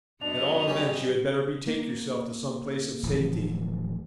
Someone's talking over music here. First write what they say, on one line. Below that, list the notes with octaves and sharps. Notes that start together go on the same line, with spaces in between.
At all events, you had better betake yourself to some place of safety.
F#2 B3 D4 D#5 F7
G3 C#4
A#3
D1 E3 F3